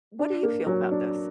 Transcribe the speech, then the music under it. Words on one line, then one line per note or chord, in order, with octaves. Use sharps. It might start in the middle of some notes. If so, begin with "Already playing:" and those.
What do you feel about this?
D4
A#3
F#3
D4